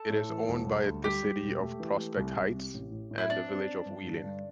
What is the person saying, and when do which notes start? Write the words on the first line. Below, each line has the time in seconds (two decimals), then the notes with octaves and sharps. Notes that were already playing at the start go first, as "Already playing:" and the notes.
It is owned by the City of Prospect Heights and the Village of Wheeling.
Already playing: A4
0.10 A2
0.29 E3
0.48 E1
0.67 G3
0.85 D2
1.04 G3 G4
1.23 G3
1.42 E1
1.60 A3
1.80 E3
1.98 A3
2.17 C2
2.36 C2
2.54 C3
2.74 A1
2.92 A2
3.11 A2
3.18 E4
3.30 C4 D4
3.48 C4
3.67 C4
3.86 G2
4.05 D3
4.24 G2